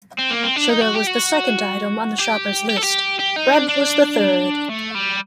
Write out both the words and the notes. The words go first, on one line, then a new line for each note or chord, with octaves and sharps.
Sugar was the second item on the shopper’s list; bread was the third.
C4
A#3
C4
D4
D#4
F#4
G4
F#4
G4
G4
A4
G4
G4
D#4
D4
D4
A3
G3